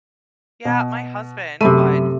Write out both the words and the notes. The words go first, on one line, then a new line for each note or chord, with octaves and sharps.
Yeah, my husband, but
B2
F#2 C3 A3 B5 D#7